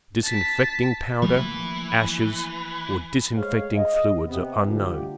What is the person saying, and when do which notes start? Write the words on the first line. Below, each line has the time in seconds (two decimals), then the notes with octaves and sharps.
Disinfecting powder, ashes, or disinfecting fluids are unknown.
0.23 A5 B6
1.22 E3 F3 A3 A#3
3.37 G#3 A3 G#4 C5 C#5 F5
3.75 D#5
4.28 C3 B3
4.68 D3 G3 A3 F4 G4